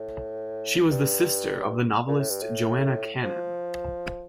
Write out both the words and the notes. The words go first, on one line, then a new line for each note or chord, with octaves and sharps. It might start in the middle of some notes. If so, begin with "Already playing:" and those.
She was the sister of the novelist Joanna Cannan.
Already playing: A2
G2
A#2
A2
G2
A2
F3